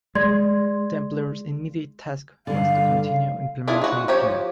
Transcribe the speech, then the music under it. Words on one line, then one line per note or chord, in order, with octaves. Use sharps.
Templer’s immediate task was to continue implementing the Plan.
G#3 D5 C6 G#6
G2 D3 F5
D4 E4 F4 G#4
F4 F#4 F#5
F3 G4 C#5